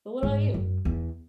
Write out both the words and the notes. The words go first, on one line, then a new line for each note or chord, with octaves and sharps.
but what about you?
G#2
F#2
E2